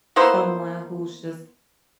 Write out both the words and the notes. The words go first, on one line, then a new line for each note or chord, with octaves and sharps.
someone who's just
A#3 B3 E4 C5